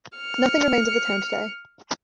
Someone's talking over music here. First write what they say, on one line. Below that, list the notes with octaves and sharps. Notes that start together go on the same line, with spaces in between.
Nothing remains of the town today.
F6 C#7